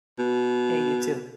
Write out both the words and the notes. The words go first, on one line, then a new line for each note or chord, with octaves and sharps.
Hey, you too.
B2